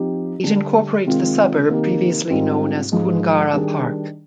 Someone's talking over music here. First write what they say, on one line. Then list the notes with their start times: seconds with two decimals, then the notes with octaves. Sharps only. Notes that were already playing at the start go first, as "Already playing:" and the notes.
It incorporates the suburb previously known as Koongarra Park.
Already playing: F3 C4 D#4 G4
0.44 D3 G3 D4
1.05 C3 D#3 G#3 C4 F4
1.68 C3 D#3 A#3 D#4 G4
2.30 G#2 G3 C4 F4
2.92 G#2 F3 G#3
3.53 D#3 G3 D4 G#4